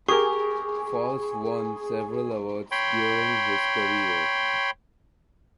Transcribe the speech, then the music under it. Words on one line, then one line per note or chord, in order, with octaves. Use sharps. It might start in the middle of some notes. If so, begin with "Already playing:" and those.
Falls won several awards during his career.
G4 G#4 A#4 C#6
C#5 G5 B5 C6